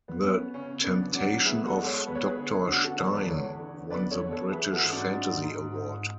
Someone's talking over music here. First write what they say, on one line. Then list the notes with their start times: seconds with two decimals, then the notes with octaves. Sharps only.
"The Temptation of Doctor Stein", won the British Fantasy Award.
0.08 B3
0.23 B3 C#4
0.54 C#3 C#4
0.84 C#3 B3 D4
1.14 F#3 D4 F#4
1.45 B3 E4 G#4
1.66 F#4 A4
1.76 G#3
1.86 A4 C#5
2.07 B3 B4
2.15 C#5
2.25 G#4 B4
2.37 D3
2.68 B3 D4 F#4
2.84 F#4 A4
2.99 E2 A4 C#5
3.14 B4 D5
3.29 E2 A4 C#5
3.59 D3
3.91 B3 B4 D5
4.11 A4 C#5
4.21 B3
4.31 A4 C#5
4.52 E3 G#4 B4
4.72 F#4 A4
4.83 G#2
4.92 D4 F#4
5.13 G#2
5.44 G#2
5.74 G#2